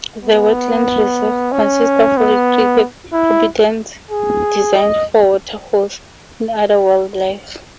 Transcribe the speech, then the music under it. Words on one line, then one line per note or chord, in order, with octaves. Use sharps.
The Wetland Reserve consists of re-created habitats designed for water fowls and other wildlife.
B3
C#4
B3
E4
G#4
D#5